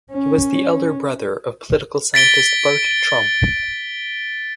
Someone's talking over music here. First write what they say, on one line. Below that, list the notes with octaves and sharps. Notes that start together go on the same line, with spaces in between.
He was the elder brother of political scientist Bart Tromp.
C#4
A6 B6 D7 G7